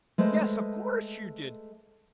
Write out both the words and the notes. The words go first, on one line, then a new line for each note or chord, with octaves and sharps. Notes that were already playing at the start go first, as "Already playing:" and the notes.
'Yes, of course you did!
G#3 A3 B4 C5 D#5